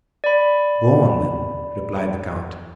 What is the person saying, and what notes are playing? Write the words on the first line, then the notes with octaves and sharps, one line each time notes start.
"Go on, then," replied the count.
D5 B5